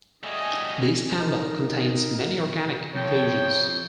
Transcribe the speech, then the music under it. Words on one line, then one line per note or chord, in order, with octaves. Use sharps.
This amber contains many organic inclusions.
G3 A3 C#4 F#4 G#4 D#5 G#5
D#4 A#4
F2 C#5 G5